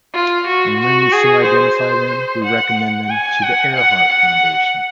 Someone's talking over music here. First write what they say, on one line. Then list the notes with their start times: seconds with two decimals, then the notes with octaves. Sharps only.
And when we so identify them, we recommend them to the Earhart Foundation.
0.14 F4
0.47 F#4
0.80 F#4
1.12 G#4
1.45 C5
1.79 C5
2.44 F#5
2.78 F#5
3.10 G#5
3.43 F#5
3.76 F#5
4.09 F#5